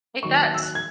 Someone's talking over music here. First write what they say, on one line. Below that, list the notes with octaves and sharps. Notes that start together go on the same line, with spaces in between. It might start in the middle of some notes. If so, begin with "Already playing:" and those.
It does.
D#3 F#3 A#3 C#6
F#6
E6
F#6
G#6